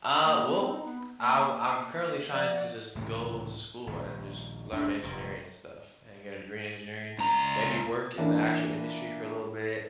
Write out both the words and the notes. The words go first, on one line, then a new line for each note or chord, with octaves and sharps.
Uh, well, I'm I'm currently trying to just go to school and just learn engineering and stuff and get a degree in engineering, maybe work in the actual industry for a little bit,
A#3
B3
C4
D#4
B3
A#3
F3 D5 F#5 G6
C#2 A2 C3 E3
A#1 D#2
G1 F#2 D4
F1 A#2
C#2 A#5
E3 A#3 D4